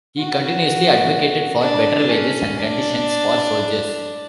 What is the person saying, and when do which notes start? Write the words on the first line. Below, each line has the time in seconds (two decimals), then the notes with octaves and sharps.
He continuously advocated for better wages and conditions for soldiers.
0.18 F#4
1.61 D4
2.09 C#4
2.56 D4